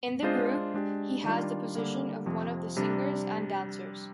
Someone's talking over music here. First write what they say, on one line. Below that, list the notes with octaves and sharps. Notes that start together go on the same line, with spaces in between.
In the group, he has the position of one of the singers and dancers.
G#3 D4 F4 C5 D#5
G#3 D4 G4
D#3 G3 D4 F4
D3 G3 A#3
F2 C3 F3
C3 G3 D4